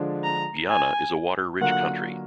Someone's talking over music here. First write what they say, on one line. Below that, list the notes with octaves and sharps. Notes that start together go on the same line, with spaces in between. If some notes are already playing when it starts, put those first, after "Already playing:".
Guyana is a water-rich country.
Already playing: D3 F3 G#3 D4
A#5
G#5
D3 F#3 A#3 F4 A#4 F#5